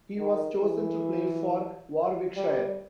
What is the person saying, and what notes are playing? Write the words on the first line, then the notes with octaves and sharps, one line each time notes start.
He was chosen to play for Warwickshire.
D#3
E3
G3